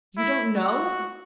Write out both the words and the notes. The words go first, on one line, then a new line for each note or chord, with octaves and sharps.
You don't know!
E4
F#4